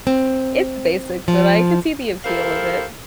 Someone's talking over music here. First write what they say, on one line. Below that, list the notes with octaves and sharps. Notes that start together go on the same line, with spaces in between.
It's basic, but I could see the appeal of it.
C4
F3
E4 G4 A4 A#4 C5 F5